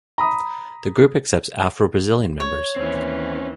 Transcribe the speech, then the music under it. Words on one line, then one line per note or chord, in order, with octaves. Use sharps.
The group accepts Afro-Brazilian members.
A#5 B5 D#6
C#5
D#2 E3 C4 C#4